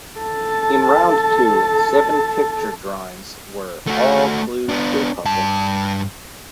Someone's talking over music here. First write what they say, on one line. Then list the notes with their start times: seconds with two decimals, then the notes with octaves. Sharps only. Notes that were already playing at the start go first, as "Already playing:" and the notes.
In round two, seven picture drawings were all clues to a puzzle.
0.19 A4 A5
3.87 A3 F#4
4.69 B3 D4
5.25 G2 A5